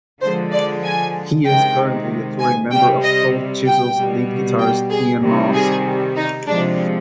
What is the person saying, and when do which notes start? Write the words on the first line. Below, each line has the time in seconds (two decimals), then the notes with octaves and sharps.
He is currently a touring member of Cold Chisel's lead guitarist Ian Moss.
0.21 D3 F3 G#3 C5
0.52 D5
0.83 G#5
1.46 C3 D#3 G#3 G5
2.40 G#5
2.71 C3 G3 G5
3.02 D#5
3.65 G5
3.97 B2 G3
4.59 G5
4.91 G#4
5.21 C3 D#3 G3
5.53 G#4
6.16 D#4
6.47 C3 F3 G#3 D4